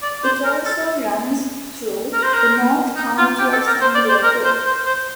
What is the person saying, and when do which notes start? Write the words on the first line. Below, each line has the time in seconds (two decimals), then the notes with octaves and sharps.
It also runs through the North County of San Diego.
0.03 D5
0.24 C5
0.44 A#4
0.66 A4
2.13 A#4
2.23 C5
2.34 A#4
2.96 D#4
3.18 F4
3.39 G4
3.53 A4
3.67 A#4
3.81 C5
3.95 D5
4.09 C5
4.23 A#4
4.44 C5
4.65 C5
4.86 C5